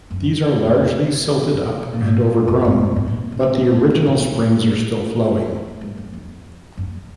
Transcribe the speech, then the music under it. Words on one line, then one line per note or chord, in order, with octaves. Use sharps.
These are largely silted up and overgrown, but the original springs are still flowing.
F#2
F2
F#2
B2
A#2
G#2
F#2
F#2
F#2
G#2
A#2
B2
A#2
A#2
F#2
G#2
D3
B2
A#2
G#2
F#2
F2
F#2